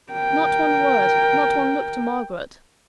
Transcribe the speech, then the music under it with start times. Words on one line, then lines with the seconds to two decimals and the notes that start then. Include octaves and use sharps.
Not one word: not one look to Margaret.
0.12 A#4 G5